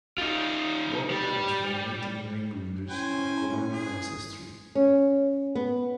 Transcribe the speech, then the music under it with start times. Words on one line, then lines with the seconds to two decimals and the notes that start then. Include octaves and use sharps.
Both parents were native New Englanders of colonial ancestry.
0.18 D#4 F4
1.10 G3
2.90 C#4 E4 C5 G5 G#5
3.72 G#4
4.75 C#4
5.55 B3